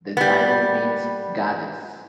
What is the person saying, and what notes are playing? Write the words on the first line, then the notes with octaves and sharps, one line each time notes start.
The title means "Goddess".
G3 B3